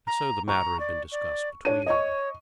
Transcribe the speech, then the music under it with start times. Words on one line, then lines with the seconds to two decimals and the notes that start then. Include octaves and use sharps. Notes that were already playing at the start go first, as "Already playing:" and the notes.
And so the matter had been discussed between them.
0.07 A#5
0.48 A#5 C#6
0.80 D5
1.12 D5
1.65 D4 C#5 D#7
1.86 C#5 D#5 C#6